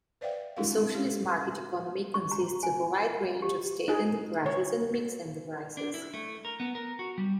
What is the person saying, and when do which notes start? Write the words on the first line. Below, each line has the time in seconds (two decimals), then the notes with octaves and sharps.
The socialist market economy consists of a wide range of state enterprises and mixed-enterprises.
0.21 B4 C5 D5 E5 F5 G5
0.57 G#3 D4 E4 F#4 A#4 F5
0.72 C4
0.94 G#3 D4 G4 A4 F5
2.14 C#6
2.31 A#5
2.63 G#5
3.42 G4
3.88 D#4 G#4
4.46 C#5
5.77 D4
5.94 E4
6.14 A3
6.45 A#4
6.60 B3
6.75 A#4
6.99 F#4
7.18 G3